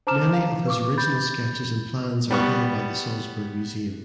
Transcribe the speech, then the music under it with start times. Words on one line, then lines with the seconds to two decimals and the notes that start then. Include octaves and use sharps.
Many of his original sketches and plans are held by the Salzburg Museum.
0.07 C5 A5 A#5 D6 F6 E7
0.33 F5
0.65 B4 C#6 D6
0.98 B5 G6 A6
2.30 G3 B3 C#6